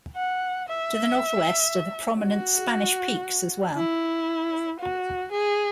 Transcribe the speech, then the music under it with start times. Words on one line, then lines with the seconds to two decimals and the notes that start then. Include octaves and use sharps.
To the northwest are the prominent Spanish Peaks as well.
0.16 F#5
0.68 E5
2.22 F#4
3.77 E4
4.80 F#4
5.31 G#4